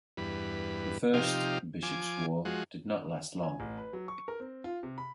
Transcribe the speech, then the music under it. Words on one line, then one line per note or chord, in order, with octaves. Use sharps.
The First Bishops' War did not last long.
E2 G2 B4
C3 F3 D#4 G4 F5
F3 G#5 D6
F3 G#3 F#4
G#5
A1
B4
F#3
C#6
A#4
C4
F4
C3
B5